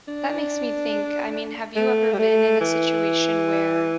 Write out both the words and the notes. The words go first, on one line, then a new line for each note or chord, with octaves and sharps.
that makes me think, I mean, have you ever been in a situation where
D4
A3
G3
A3
E3